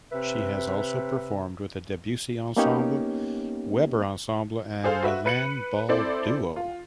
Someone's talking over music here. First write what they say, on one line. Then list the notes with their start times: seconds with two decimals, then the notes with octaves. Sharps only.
She has also performed with The Debussy Ensemble, Weber Ensemble and Milan-Ball Duo.
0.12 C3 B4 E5
2.56 A#3 B3 C#4 D#4 G4 C#5
4.84 G#4 A4 C5 F5
5.03 F#4 B4 E5
5.26 B4 C#7 F#7
5.89 C4 E4 A4 C5 D5
6.56 F4